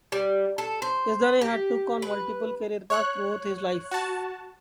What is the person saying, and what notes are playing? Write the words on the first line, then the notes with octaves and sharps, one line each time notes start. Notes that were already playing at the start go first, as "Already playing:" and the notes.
Yazdani had took on multiple career paths throughout his life.
G3
A4
C5
G4
B4
C#5 C#6 F#6
F#4 A5